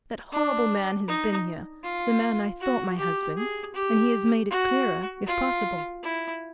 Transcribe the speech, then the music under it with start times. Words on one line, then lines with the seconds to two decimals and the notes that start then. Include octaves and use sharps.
That horrible man has been here--the man I thought my husband--and he has made it clearer, if possible.
0.32 D4
1.08 D#4
1.84 F4
2.61 F#4
2.98 G4
3.37 G#4
3.74 G4
4.50 F#4
5.27 F4
6.03 E4